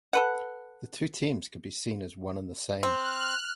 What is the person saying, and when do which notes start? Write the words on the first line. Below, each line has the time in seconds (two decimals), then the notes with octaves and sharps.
The two teams could be seen as one and the same.
0.13 A4 B4 F#5
2.83 C4 F6 F#6